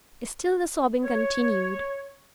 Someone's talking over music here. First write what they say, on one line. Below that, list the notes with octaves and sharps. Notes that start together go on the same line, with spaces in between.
Still the sobbing continued.
C#5